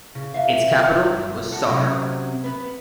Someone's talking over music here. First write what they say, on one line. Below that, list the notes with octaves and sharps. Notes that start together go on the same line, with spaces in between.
Its capital was Sarh.
C#3
E2 E5 F5
G2
F#4 A4
C3 F#3 C#4
B3 B4